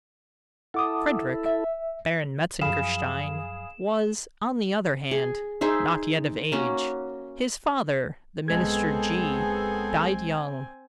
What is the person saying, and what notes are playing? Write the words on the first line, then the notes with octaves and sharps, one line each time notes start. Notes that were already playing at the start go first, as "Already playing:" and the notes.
Frederick, Baron Metzengerstein, was, on the other hand, not yet of age. His father, the Minister G--, died young.
E4 A4 F#5 D6 D#6
E5
F#2 F3 G#4 F5 B5 E7
G#4
D#4 G#4 C5 E5
A#3 C#4 F#4
B1 G#3 B3 C4 G#4 A4 G#5 G#6